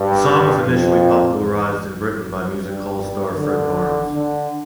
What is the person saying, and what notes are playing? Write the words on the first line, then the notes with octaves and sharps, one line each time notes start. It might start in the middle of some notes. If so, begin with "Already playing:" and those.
The song was initially popularised in Britain by music hall star Fred Barnes.
Already playing: G2
F2
E2
G2
D3
D3